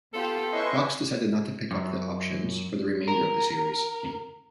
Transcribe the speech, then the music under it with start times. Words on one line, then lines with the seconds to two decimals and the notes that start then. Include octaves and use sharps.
Fox decided not to pick up the options for the remainder of the series.
0.14 B3 F4 G4 A4
0.53 C#4 E4 B4 C5 D#5 E5 C6 C#6
1.71 F#2
3.08 A#4